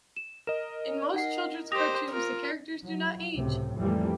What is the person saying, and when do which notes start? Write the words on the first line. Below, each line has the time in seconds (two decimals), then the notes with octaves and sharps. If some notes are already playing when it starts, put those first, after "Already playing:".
In most children's cartoons, the characters do not age.
0.16 E7
0.47 A#4 D#5 E7
1.14 D#4 F#5 C7
1.72 G4 C5 D#6 A#6 F7
2.10 F4 A#4
2.85 F#3
3.36 C#2 A2 C3
3.79 F2 E3 F3 G3 A3 A#3